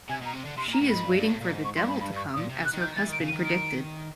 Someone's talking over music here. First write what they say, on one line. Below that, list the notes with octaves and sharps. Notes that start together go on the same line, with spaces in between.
She is waiting for the devil to come, as her husband predicted.
C3 G#5
B2 A#5
C3
D3
C3 C6
A#2
A#5
A2
G#2 B5
G2
G2
A2
A#2
G#2
C#6
G2 C6
B5
G#2
G2 B5
G2
C#6
D#6
A#2
C3
F#6
D#3
G6
E3 A6
D#3
D7
C#3
D#7
D#3
D7